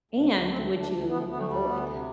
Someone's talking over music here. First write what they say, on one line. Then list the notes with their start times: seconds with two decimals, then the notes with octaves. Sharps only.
And would you avoid?
0.11 D2
0.30 D2
0.50 D2 C4
0.70 D2
0.79 D4
0.89 D2
1.08 D2 B3
1.28 D2 B3
1.38 A3
1.48 G3
1.66 D2 B3
1.87 C3